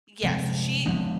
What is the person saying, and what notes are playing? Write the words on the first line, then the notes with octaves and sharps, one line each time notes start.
Yeah, so, she
C3 F3 G#3
F3 G#3 B3 D4